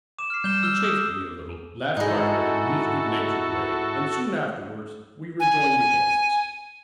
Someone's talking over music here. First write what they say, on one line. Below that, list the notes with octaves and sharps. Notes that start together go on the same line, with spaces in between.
He chaffed me a little, laughed heartily in his good-natured way, and soon afterwards we rejoined the guests.
D6 E7
F6 C7
G3 G6 E7 G7
E6 F6 G7
D#6
G#2 G#3 D#4 E4 F#4 A4
G#5